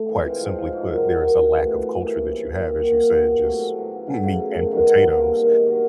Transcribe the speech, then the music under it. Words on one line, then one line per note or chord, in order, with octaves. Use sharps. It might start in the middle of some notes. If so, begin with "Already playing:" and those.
quite simply put, there is a lack of culture that you have, as you said, just m meat and potatoes,
Already playing: A3
E3
G#3 C4 F4
F3
G#3 C4 F4
G#2
D#3 F#3
G2
D#3 F#3
C#3
E3 A3
B2
G3 C4
A#2
G3 C4 E4
E3
G3 A#3
A#2
F#3 A#3
A#2
G3 B3
A#2
F#3 A3 C4
A2
F#3 B3
C#3
F#3 A3
C#3
F3 A3
F#2
D#3 G3 B3
D3
G3 A#3
C3
D#3 G#3
G2
D#3 F#3